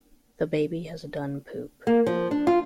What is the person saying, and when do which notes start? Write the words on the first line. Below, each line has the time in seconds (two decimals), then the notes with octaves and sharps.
The baby has done poop.
1.87 A#3
2.06 F3
2.31 D4
2.47 F4